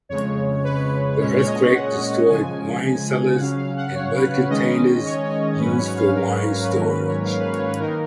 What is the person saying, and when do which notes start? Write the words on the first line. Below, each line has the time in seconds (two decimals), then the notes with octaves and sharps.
The earthquake destroyed wine cellars and mud containers used for wine storage.
0.09 F2 C#3 G#3 C#5
0.64 B4
1.20 A#2 G#3 C#4 C#5
1.38 C#5
1.47 D#5
1.74 F#5
2.29 C#3 F3 G#3 G#5
3.35 F#5
3.40 C#3 F#3 C#4 F5
3.58 F5
3.76 F#5
3.95 C#5
4.14 B4
4.32 B4
4.50 D#3 G#3 C#4 D#5
5.06 C#5
5.60 G#2 F#3 C#4 B4
5.79 C#5
5.96 F5
6.15 A#4
6.63 B4
6.70 G#2 D#3 F#3 A#3 C#4 A#4
6.89 B4
7.07 C#5
7.25 F5
7.39 B4
7.53 C#5
7.67 B4
7.80 D#3 A#3 D#4 A#4